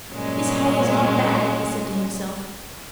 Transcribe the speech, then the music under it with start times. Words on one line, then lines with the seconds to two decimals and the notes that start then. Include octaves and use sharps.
"This hay is not bad," he said to himself.
0.12 G2 A#2 F#3 G#3 C#4